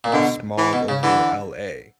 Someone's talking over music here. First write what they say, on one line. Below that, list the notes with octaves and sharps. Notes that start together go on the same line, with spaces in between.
the smog over LA.
A#2
B2 D3
E3
B2
C#3
D3 E3